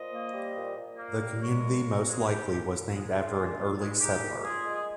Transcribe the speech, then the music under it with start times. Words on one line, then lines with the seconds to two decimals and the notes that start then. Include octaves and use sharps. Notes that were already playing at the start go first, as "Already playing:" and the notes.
The community most likely was named after an early settler.
Already playing: A#2 C5 D#5
0.11 A#3
0.34 G3
0.55 A#2
0.76 A#2
0.97 A#3
1.20 G3
1.40 G#3 A#4 C#5
1.63 A#2
1.83 A#2
2.05 G#3
2.27 G#3 D#4 G4
2.48 A#2
2.70 A#2
2.92 G#3
3.13 G#3 C#4 F4
3.35 A#2
3.57 A#2
3.78 G#3
3.99 G#3 D#4 G4
4.21 A#2
4.42 A#2 F4 G#4
4.64 G#3
4.74 G#4